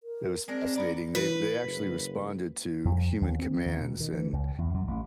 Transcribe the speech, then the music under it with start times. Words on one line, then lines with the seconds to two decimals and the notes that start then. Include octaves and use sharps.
that was fascinating. They they actually responded to human commands, and
0.03 A#4
0.48 G#3 C4 D4 A#4
0.76 B3 A#4 D5
1.15 E3 B4
1.64 F#1
2.85 F2
3.21 D#2
3.39 C4
3.66 D#2
3.81 B2
4.00 D#3
4.13 E3
4.33 C#2
4.58 E2
4.74 F#2
4.87 A1